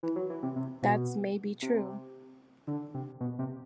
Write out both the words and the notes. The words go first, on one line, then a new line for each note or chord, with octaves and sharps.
That's maybe true.
E3
F#3
E3
C3
C3
B2
C3
D3
C3
B2
C3